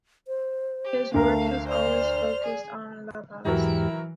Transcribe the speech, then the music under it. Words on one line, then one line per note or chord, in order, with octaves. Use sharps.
His work has always focused on La Paz.
C5
G4
D2 A3 A#4 F5
C5 D5 F6
G#4
E2 G#2 E3 F#3 E4 F#4 G4 A#4